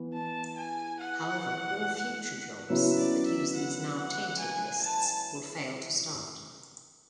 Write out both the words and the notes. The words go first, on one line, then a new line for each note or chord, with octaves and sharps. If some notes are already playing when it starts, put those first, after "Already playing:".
However, all future jobs that use these now tainted lists will fail to start.
Already playing: E3 B3
A5
G#5
F#5
C#3 F#3 B3 E4 E5
D5
E5
F#5
F#5
G#5
A5